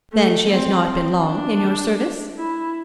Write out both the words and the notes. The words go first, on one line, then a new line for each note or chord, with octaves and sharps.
"Then she has not been long in your service?"
A3
C4
D4
E4